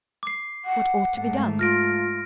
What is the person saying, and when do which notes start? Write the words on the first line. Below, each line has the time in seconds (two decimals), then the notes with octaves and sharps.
What ought to be done?
0.23 D6 C7
0.65 F#5
1.18 G#2 A3
1.59 F4 F6 A#6 D7